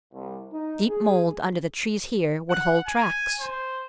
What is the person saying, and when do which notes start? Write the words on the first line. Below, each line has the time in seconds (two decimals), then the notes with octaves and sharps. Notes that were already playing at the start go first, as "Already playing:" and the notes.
Deep mold under the trees here would hold tracks.
0.14 C2
0.52 D#4
0.89 G#4
2.50 F#5
2.88 G#5
3.40 C5